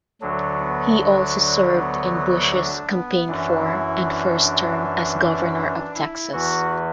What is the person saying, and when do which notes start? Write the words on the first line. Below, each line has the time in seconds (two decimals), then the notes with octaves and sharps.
He also served in Bush's campaign for and first term as Governor of Texas.
0.21 D2 D3 F#3 D4
0.60 B3
0.99 D4
1.36 D4
1.75 B3
2.51 D4
2.89 B3
3.27 F#2 E3 D4
3.66 E4
4.05 D4
4.42 D4
5.57 D4
5.95 E4
6.33 E2 E3 F#4